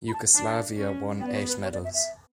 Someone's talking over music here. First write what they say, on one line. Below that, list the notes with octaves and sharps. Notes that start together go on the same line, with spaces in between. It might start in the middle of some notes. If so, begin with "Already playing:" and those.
Yugoslavia won eight medals.
B5
A5
D4 A5
C#4
B3 G5
D5
C#5
B4
C#5
D5
E5
E5